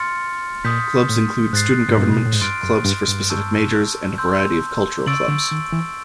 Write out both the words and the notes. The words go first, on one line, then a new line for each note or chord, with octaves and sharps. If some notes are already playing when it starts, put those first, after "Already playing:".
Clubs include student government, clubs for specific majors, and a variety of cultural clubs.
Already playing: C6 F6 A6 C#7
A#2 D#6 G6 B6
A2
G#2 F#6 A6 C7
G#2
G2
B2
A#2
A2
G#2
G2 C6 F6 A6 D7
F#2
G2
G2
A5 C#6 E6 G6
C6 E6 G6
C#3 C#6 E6 A6 D7 F#7
D3
D#3
E3